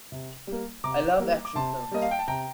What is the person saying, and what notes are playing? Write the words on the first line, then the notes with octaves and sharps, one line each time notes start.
I love action films.
C3
G3 A#3
C3 A#5 D6
G3 A#3
D6
C3 A5 C6
G3 A#3 D#5
F5
G5
A5
C3 G5 A#5